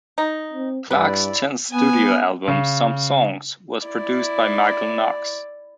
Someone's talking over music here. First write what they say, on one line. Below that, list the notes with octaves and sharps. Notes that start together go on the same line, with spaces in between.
Clark's tenth studio album, "Some Songs", was produced by Michael Knox.
D#4
C4
G2 E4 B4 D5
B3 G#5
C#3
E4 D5